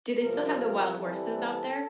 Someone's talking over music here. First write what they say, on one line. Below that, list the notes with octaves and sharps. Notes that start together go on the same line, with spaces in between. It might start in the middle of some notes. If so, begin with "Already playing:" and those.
do they still have the wild horses out there?
C2 C3 F3 A#4
A#4
C2 C3 E3 G3 A4